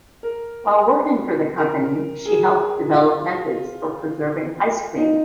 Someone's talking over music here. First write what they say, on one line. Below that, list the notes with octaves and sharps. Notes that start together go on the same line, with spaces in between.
While working for the company she helped develop methods for preserving ice cream.
A#4
A#4
G#4
F4
D#4